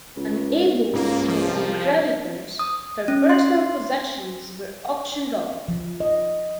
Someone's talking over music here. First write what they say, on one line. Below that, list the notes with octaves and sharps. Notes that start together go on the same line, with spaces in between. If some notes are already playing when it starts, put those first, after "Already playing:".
Unable to pay her creditors, her personal possessions were auctioned off.
C#2
C#2 G#2 A#3
F3
C2
D#6
C#4
C6
F3
D#5